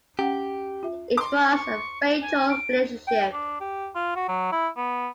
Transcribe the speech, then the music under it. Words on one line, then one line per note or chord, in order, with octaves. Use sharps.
It was a fatal relationship.
C#4 G4 F#5 G5
F4 E5
C6 D6
C#6
G#5
D7
G5
D4
G4
F4
F#4
F#3
E4
B3